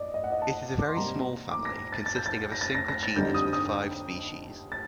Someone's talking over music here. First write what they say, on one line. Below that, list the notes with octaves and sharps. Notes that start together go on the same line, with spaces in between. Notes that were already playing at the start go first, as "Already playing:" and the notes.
It is a very small family, consisting of a single genus with five species.
Already playing: D5 D#5
D#5
F#5
D#5
A5
D6
C6
C3 G3 A#3 A#5
D6
A#6
A6
A6
G6
A6
A#6
A6
A#6
A#6
A6
D3 G3 C4 D#4 G6
D#6
D#6
A6